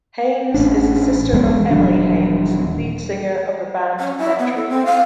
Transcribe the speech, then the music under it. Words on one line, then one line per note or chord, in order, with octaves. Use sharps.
Haines is the sister of Emily Haines, lead singer of the band Metric.
A1 C#4 D4
E2 E3 G#3 B3
D#1 E3 F#3 D4
C#4
E4
B3
A4
C4
F5